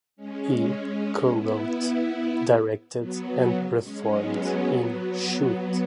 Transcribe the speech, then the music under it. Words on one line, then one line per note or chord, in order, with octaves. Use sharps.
He co-wrote, directed and performed in "Shoot".
G#3 C#4
B3 E4
F#3 B3
C#3 F#3
G#3 C#4
F#3 B3
F#3 B3